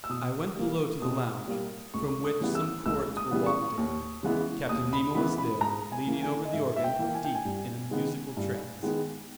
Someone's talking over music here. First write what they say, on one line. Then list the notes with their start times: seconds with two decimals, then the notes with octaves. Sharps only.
I went below to the lounge, from which some chords were wafting. Captain Nemo was there, leaning over the organ, deep in a musical trance.
0.04 E6
0.10 B2 D#6
0.56 G3 A#3
1.02 B2 D#6
1.48 G3 A#3
1.94 C#2 C#6
2.24 D#6
2.40 C#3 E3 G3 B3
2.55 E6
2.86 C#2 E6
3.17 D#6
3.31 C#3 E3 G3 B3
3.46 C#6
3.77 D#2
4.23 C#3 E3 G#3 B3
4.69 D#2 D#6
4.93 B5
5.15 C#3 E3 G#3 B3 B5
5.38 B5
5.61 G#2 A#5
5.92 G#5
6.07 E3 A#3
6.23 G#5
6.45 D#5
6.53 G#2 E5
6.76 E5
6.84 G5
6.99 E3 A#3
7.14 G#5
7.25 G5
7.35 G#5
7.45 G2
7.91 D#3 G#3 B3
8.37 G2
8.83 D#3 G#3 B3